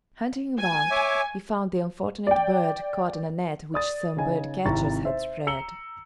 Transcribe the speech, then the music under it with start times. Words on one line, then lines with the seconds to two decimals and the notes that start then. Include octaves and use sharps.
Hunting about, he found the unfortunate bird caught in a net which some birdcatchers had spread.
0.58 G#5
0.91 C#5 E5 D6
2.27 D5 G5
3.74 D5 D#6 A6
4.17 C#3 D#4 G#5
4.65 G#1 C3 E4 A#5 C#6 A6
5.05 C5 E5
5.47 A#5 E6 C#7 F#7 G7